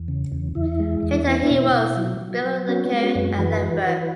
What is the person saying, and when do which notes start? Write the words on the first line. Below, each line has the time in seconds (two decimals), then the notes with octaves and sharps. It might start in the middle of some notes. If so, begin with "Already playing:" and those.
Later he was bibliothecary at Lemberg.
Already playing: E2
0.08 C#3
0.32 E2
0.55 E2 E4
0.80 G#3
1.03 E2
1.27 B3
1.50 B2
1.73 B2
1.97 F#3
2.21 F#3
2.45 F#3
2.68 B3 C#4 F#4
2.92 G#3
3.03 C#4 F#4
3.15 F#2
3.38 E3 F#4 B4
3.62 E3
3.86 E3